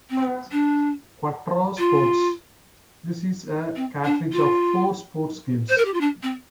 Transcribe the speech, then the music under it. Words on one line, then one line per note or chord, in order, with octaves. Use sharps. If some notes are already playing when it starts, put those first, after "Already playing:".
"Quattro Sports": This is a cartridge of four sports games.
C4
D4
F4
C4
D4
F4
C5
A#4
G4
F4
D4
C4